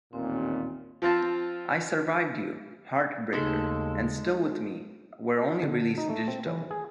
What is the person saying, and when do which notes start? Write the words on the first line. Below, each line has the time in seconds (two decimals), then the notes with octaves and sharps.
"I Survived You", "Heartbreaker" and "Still with Me" were only released digitally.
0.13 A1 D#2 A#2 C4
1.02 F3 C4 F4 A5
3.33 D#2 C#3 G#3 A3 B3 D#4 A4
5.63 D3
5.98 D#4
6.10 A3
6.28 C4
6.46 E3
6.71 G#4